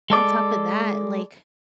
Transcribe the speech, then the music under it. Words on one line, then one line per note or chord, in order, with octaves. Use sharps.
On top of that, like,
G#3 A4 D5